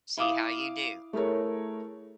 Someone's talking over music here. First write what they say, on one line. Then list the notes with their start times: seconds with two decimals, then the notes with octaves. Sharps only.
See how you do.
0.17 E4 F5 D6 D#6
1.13 A3 E4 G#4 A#4 C#5